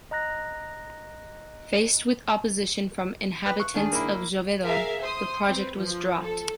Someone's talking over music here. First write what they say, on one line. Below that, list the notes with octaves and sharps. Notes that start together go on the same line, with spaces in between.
Faced with opposition from inhabitants of Gévaudan, the project was dropped.
D#5 A#5 F#6 A#6
B4
C#6 F#6
D#3 D4 G#4
A#3 E4
G#4 A#4 E5 F5
C5 C6 D#6
C4 B4
F3
A4